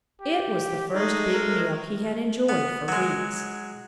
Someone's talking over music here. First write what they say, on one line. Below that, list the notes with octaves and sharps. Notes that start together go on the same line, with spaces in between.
It was the first big meal he had enjoyed for weeks.
G4
G#3 A3 D#4
A#4
B3
F#3 G#3